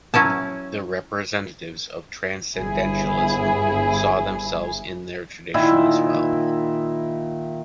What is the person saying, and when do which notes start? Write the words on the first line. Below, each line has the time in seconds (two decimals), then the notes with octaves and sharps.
The representatives of transcendentalism saw themselves in their tradition as well.
0.14 F#3 C#4 E4 A5
2.56 G1 E4 G#4
5.54 A#2 D#3 E4 E5